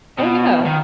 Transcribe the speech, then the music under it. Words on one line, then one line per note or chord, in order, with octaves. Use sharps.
Oh, yeah.
B2
D#3